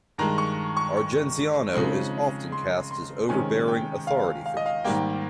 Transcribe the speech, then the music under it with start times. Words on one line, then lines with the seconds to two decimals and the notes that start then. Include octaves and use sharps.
Argenziano is often cast as overbearing authority figures.
0.18 G2 D#3 G#3 A#5
0.38 C#6
0.77 C#6
0.97 C#6
1.73 C#3 F3 G#3 C4 D#4
2.52 C6
2.91 C6
3.29 C3 D#3 G#3 C#4 G#5
3.68 G5
4.07 F5
4.46 F5
4.57 D#5
4.66 F5
4.84 G#2 D#3 G3 A#3 G5